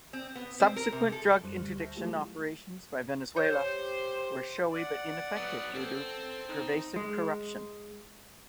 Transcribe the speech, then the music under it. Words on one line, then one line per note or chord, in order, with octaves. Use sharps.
Subsequent drug interdiction operations by Venezuela were showy but ineffective due to pervasive corruption.
C4
B3
C4
A#4
C3
A4
F#2 F#3 G3 C5 C#6 F#6
D2 G3 C5 F6
E5 A5 C#6 G6 A#6
F#3 G#3 A3 E4 F4 G4
G4 C5 C#5 G6
D5 F#5
F#3 B3
C4 A4
D#4
G#3